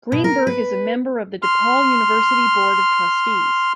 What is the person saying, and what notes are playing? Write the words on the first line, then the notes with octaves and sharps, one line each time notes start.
Greenberg is a member of the DePaul University Board of Trustees.
B2
A#4
B4
C6 F6